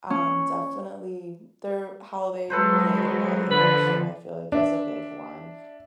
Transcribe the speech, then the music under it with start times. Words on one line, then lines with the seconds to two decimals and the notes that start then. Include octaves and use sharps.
Um, definitely their how they relay their body emotion, I feel like, is a big one,
0.10 C#4
2.50 F#3 G#3 A4 B4 C5
3.51 D3 F3 B4
4.52 D4 E5